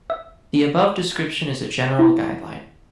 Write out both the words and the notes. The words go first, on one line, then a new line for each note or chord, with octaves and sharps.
The above description is a general guideline.
E5
E4